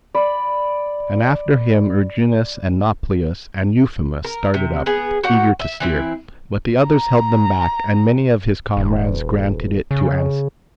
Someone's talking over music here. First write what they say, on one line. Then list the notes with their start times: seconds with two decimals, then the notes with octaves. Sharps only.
And after him Erginus and Nauplius and Euphemus started up, eager to steer. But the others held them back, and many of his comrades granted it to Ancaeus.
0.14 D5 B5
4.24 A#4
4.54 C3
4.86 B3 G#4
5.23 F#4 G4 A#4 F#5
5.59 E5
5.80 E3 C4 E4
6.87 A#5
8.77 D#1
9.91 C#3